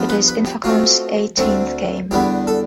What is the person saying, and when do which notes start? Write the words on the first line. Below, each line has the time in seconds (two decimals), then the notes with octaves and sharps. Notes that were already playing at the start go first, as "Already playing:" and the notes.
It is Infocom's eighteenth game.
Already playing: G2 F3 B3
0.09 B4
0.28 B4
0.46 G4
0.64 B2 A3 C4 F4
1.38 D2 D3 A3 C4
2.11 E2 D3 G3 B3 G4
2.47 A4